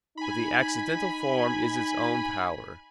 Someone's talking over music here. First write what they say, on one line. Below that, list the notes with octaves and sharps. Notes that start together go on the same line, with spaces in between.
But the accidental form is its own power.
D#4 G#5 B5